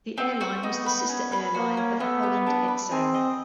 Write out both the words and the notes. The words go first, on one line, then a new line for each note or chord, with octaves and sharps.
The airline was the sister airline of Holland Exel.
C4
F#4
B3 D#4
B4
C#4
B4
A#3 F#4
C#4
A3 B3
G4
D4
B4
C4 G#4
D#5